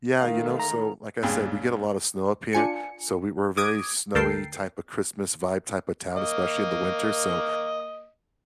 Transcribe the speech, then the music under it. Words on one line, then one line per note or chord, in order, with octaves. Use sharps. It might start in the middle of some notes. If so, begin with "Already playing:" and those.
Yeah, you know, so, like I said, we get a lot of snow up here, so we we're a very snowy type of Christmas vibe type of town, especially in the winter, so,
D#3 A3 A#4 F5
A#5
C#2 G2 A#2 G#4 G5
D4 F4 G#5 C#7
D6 D#6 G#6 D7
D2 A4 A#4 G5 A5 C7
A#3 D#5